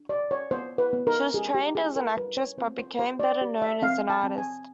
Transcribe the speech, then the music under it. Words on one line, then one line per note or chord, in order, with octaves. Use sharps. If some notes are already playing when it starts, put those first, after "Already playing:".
She was trained as an actress, but became better known as an artist.
Already playing: D4
G4 D5
C#5
B3 C5
B4
B3
A#4
G4 G#4
G4
E4 G#4
A#4
G3 B4
C#5
C4 C5
C5
G4 C5
D5
G4
E5
C4 F5
A5
C4
G#5